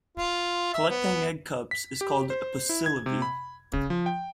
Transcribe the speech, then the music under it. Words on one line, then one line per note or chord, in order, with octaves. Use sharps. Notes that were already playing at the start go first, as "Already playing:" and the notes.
Collecting egg cups is called pocillovy.
F4
E5
B3
B6
G4
C5
E4
G#6
C3
B5
C#3
F3
G5